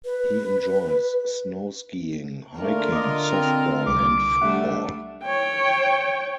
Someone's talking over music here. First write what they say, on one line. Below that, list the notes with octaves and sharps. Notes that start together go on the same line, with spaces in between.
He enjoys snow skiing, hiking, softball and football.
B4
D3 A3 A#3 D4 F4 A#4
D#5 D6
C4
C2 D6
G3 A3 D4 E5 F#5
C#5 G5